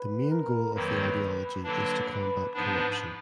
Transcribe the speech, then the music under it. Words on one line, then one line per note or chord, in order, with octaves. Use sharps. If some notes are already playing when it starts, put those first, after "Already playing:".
The main goal of the ideology is to combat corruption.
Already playing: B4
A#4
F2 D#3 F#3 A#3 B4
D3 F#3 A#3 D4 B4
B4
G#2 F3 B3 D4 B4